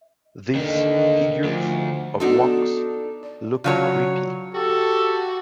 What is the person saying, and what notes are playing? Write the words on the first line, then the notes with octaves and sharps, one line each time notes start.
These figures of wax look creepy.
D#2 D3 D#4 A#4 D#5
D2 F3
B3 D4 D#4 F#4 A4
D5
C#3 F#3 F4 C#5 D5 A5
F#4 G4 A4